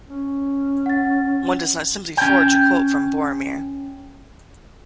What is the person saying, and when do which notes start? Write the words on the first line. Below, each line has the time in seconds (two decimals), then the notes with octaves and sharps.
One does not simply forge a quote from Boromir.
0.08 C#4
0.86 F#5 A6
2.17 C#4 G5